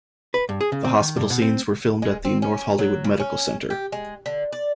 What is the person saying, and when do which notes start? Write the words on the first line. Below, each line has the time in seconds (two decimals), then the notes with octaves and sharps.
The hospital scenes were filmed at the North Hollywood Medical Center.
0.34 B4
0.49 G2
0.61 G#4
0.72 C#3
0.84 C4
1.00 D#3
1.17 G2
1.30 B2
1.42 C4
2.02 G#3
2.25 C4
2.42 C#4
2.79 F#3
3.04 C#3
3.20 C#4
3.70 G4
3.92 G#3
4.26 D3
4.53 D5